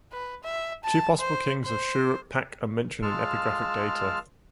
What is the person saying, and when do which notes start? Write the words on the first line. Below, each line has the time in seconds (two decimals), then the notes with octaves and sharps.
Two possible kings of Shuruppak are mentioned in epigraphic data.
0.12 B4
0.44 E5
0.84 A5
1.19 C5
1.65 C5
3.02 G#3 F4 F5 A5 E6 F6